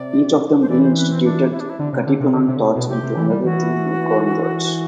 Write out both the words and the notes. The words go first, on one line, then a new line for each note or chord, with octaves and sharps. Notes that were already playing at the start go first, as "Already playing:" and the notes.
Each of them re-instituted Katipunan thoughts into another two new converts.
Already playing: C3 D5
C5
E3 D5
C5
B4
C4
D4
E4
D4
E4
D3
C3
D3
C3
D3
C3
D3
C3
B2
C3 G4
C3
E3
G3
E3 F#4